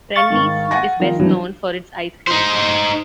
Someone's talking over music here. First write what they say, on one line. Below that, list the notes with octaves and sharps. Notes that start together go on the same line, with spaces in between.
Friendly's is best known for its ice cream.
F5 C#6 A6
G#2 D#3
F#5 G#5 A#6
D#3 F3
E3 F#3 D4
D#4 C5